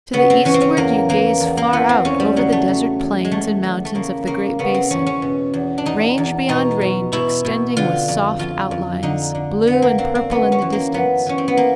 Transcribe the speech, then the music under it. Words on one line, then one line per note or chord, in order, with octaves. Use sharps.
To the eastward you gaze far out over the desert plains and mountains of the "Great Basin," range beyond range extending with soft outlines, blue and purple in the distance.
C#3 B3
C4
E3 C#4
C4
C#4
E2 A#3
E3 A#3
E2
A#3
E3 B3
C4
E2 C#4
G3
C#3 F#3
A3
C#3
E2
G#3
E2 A3
E2
A3
C#3 A#3
C#3 A#3
C#3 B3
C4
E2 C#4
C#4
B2
E2
D4
E2 D#4
E2
B2 D#4
B2
B2 E4
B2
D3 F4
F2
F2 F4
F2
D3 D#4
D3
D3 B3
A#3
D3 C4
C4
F#2 B3
C#4
E3
A#3
F#2 B3
E3 C#4
C4
B3
A#3